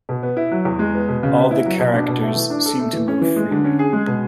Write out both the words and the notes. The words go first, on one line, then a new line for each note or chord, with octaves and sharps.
All the characters seem to move freely.
B2
B3
E4
F#3
E2
G#3
B3
B2
C#3
B3
E4
F#3
B2
D4
B2
A3
E3
D4
A4
A3
E3
C#4
E3
G#3
D3
C#4
G#4
G#3
B2